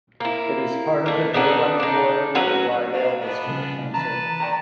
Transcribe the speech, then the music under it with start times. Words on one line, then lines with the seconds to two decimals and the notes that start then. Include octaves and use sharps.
It is part of the Derwent ward of Ryedale District Council.
0.20 A#3 E4
1.06 A3 A#3
1.34 B3 D4 D#4 F#4
1.80 D4 D#4
2.35 F#3 C#4 F#4 B4
2.93 D4 F5
3.21 B3 D4 B4
3.46 C2 C#3 F3
3.94 E3 B4 A5 A#5
4.40 D5 G5 A#5